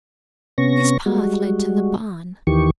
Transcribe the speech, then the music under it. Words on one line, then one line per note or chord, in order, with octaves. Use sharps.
This path led to the barn.
C3 B3 C#4 C#6 A#6
G3 G#3 F#4
D#2 D#3 E3 G4 C#6